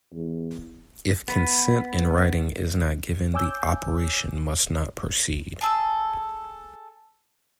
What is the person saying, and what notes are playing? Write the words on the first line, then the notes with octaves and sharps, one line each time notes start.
If consent in writing is not given the operation must not proceed.
E2
B3 B4
C#5 G#5 D6 E6 G6
G#4 A4 E6